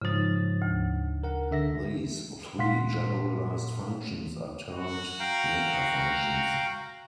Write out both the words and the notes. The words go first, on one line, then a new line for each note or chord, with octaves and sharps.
These three generalised functions are termed "metafunctions".
G#2 C#3 F3 D#4 A6
D2
A#4 F#5
D3 E5 A#6
A#2 F5 F#5 C6 B6
F#4
F5 G5 A#5